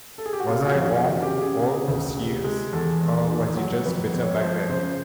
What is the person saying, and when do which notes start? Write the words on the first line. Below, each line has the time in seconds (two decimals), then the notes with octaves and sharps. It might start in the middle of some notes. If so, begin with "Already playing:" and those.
Was I wrong all those years, or was he just better back then?
0.18 A4
0.26 G#4
0.33 G4
0.40 F#4
0.47 C3 F4
0.62 F4
0.66 F#4
0.75 F2
0.85 F4
1.03 C#3 F#4
1.22 G4
1.33 C#3
1.42 G#4
1.60 C#3
1.88 D2
2.17 C3
2.44 G#3
2.73 E2 A4
3.01 E2
3.29 D#3
3.57 F#3
3.86 F2 B4
4.14 F2
4.22 C#5
4.41 F3 C5
4.69 C#3 C5